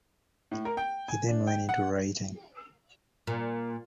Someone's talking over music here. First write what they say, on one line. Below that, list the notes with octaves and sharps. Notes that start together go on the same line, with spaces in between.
He then went into writing.
A2
A#4
G5
G#5
D4
G5
F#5
A#2